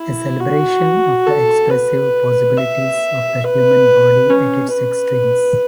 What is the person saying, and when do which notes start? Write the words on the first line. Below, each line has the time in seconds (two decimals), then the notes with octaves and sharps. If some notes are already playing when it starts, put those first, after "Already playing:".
A celebration of the expressive possibilities of the human body at its extremes.
Already playing: E4
0.40 F#4
1.27 A4
1.70 B4
2.57 E5
3.44 B4
4.30 C#4
4.73 B4